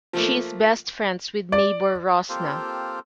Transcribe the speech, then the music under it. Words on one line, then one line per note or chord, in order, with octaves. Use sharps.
She is best friends with neighbour Rosnah.
F3 A3 A#3
D5
A#3 C4 F4 G4 A4 C5